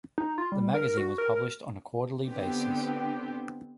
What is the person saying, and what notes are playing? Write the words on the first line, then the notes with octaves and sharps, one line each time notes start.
The magazine was published on a quarterly basis.
D#4
F4
G3
A#4
F#4
A#4
D3 B3 C4 G4